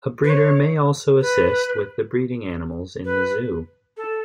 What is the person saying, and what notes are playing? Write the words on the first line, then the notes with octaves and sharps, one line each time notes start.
A breeder may also assist with the breeding animals in the zoo.
B4
C#5
B4
B4
A4